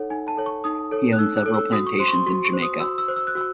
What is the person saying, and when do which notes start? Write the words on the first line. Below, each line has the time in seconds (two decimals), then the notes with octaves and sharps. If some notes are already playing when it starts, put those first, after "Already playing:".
He owned several plantations in Jamaica.
Already playing: D#4 A4 C#5 F#5
0.10 D#4 G#5
0.28 A5
0.37 A4 C#5
0.46 C#6
0.64 D#4 D#6
0.91 A4 C#5
1.13 F#6
1.18 D#4 E6
1.37 F#6
1.46 A4 C#5
1.54 E6
1.72 F#4 D#6
1.87 C#6
1.99 C5 C6
2.08 C#6
2.12 C6
2.27 F#4 C#6
2.45 C#6
2.53 C5
2.62 D#6
2.80 F#4 E6
2.98 E6
3.08 C5
3.16 E6
3.27 F#6
3.35 F#4 E6